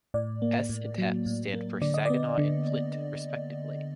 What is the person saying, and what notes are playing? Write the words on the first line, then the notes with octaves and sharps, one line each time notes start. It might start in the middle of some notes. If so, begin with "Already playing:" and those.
"S" and "F" stand for Saginaw and Flint, respectively.
A2 D5
A#3
A2
F#3
A2
A#3
D3 D5
D#5
B3 D5
D3